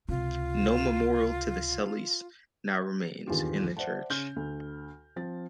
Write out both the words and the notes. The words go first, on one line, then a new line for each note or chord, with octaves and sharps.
No memorial to the Celys now remains in the church.
C#2 C3 F4
D#1 E2 G2 D#3 F4 G4
C5 D5 E5 F#5 A5
C#3 C#4 C6 F6 G6
D2
F3 C4 A6